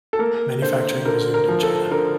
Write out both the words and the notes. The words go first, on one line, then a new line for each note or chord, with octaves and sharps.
Manufacturing resumed in China.
A4
A#3 A#4
D3 C5
D3 A#4
A#4
F3
A4
D3 A#4